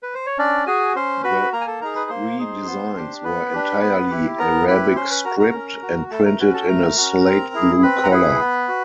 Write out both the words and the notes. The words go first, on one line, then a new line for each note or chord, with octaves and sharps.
The three designs were entirely Arabic script, and printed in a slate blue color.
B4
C5
C#5
C#4 D4 D5
F#4 G#4 G#5
C#4 C5 C6
F#4 B4 B5
A#3 A#4 A#5
G#5
A4 A5
D#4 G#4 A#4 A#5
B4 B5
A#3 C5 C6
D#4 G#4
B3
D4 G4
B3 B4 B5
D4 G4
B3
E4 G4
B3 A#4 A#5
E4 G4 B4 B5
C#4 C5 C6
B4 B5
F#4 A#4 A#5
A#4 A#5
C#4
F#4
A3 A4 A5
A#4 A#5
C#4 F#4 B4 B5
A4 A5
A3 A#4 A#5
C#4 F#4
C4
E4 G#4
C4 B4 B5
A#5
E4 G#4 B4 B5
B3
F#4